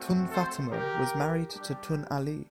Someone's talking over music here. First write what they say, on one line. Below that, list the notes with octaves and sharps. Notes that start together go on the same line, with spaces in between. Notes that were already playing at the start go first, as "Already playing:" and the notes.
Tun Fatimah was married to Tun Ali.
Already playing: A3 C4 F#4
A4 C5
G4 A#4
G3 D4 G4